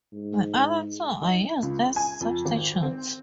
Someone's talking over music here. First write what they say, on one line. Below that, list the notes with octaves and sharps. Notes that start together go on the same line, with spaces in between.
The other two are used as substitutes.
G#2
D#4
C#2
G#5
F2
G#1
C4